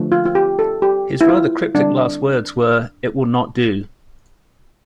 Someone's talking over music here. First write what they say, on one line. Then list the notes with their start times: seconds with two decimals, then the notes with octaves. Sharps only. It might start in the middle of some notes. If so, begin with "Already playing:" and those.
His rather cryptic last words were: "It will not do".
Already playing: D3 F3 A3
0.12 F4
0.25 F4
0.35 G4
0.59 A4
0.82 G4
1.21 E4
1.29 F4
1.75 D3 G3 C4 D4